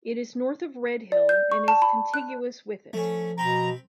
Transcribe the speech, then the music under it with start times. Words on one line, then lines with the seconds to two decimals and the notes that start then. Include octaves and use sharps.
It is north of Redhill and is contiguous with it.
1.12 D5
1.29 G6
1.52 C#6
1.68 A5
1.82 B5
2.14 F#6
2.93 F3 A3 C#4
3.38 B2 C4 A#5 B5